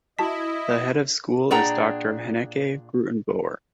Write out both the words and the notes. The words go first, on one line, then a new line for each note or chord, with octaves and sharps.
The Head of School is Doctor Hanneke Grootenboer.
E4 F#4 D#5 A5 B6
A#2 D4 G#4 F#5 G5 A#5